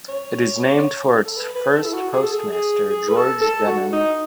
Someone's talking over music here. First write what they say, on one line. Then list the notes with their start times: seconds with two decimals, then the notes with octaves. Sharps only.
It is named for its first postmaster, George Deming.
0.09 C#5
1.25 A4
1.36 B4
1.55 B4
1.75 A4
1.86 E4
1.94 F#4
2.13 G#4
2.23 A4
2.33 G#4
2.52 G#4
2.90 G#4
3.08 B4
3.16 A4
3.41 A4
3.67 F#4
3.93 D#4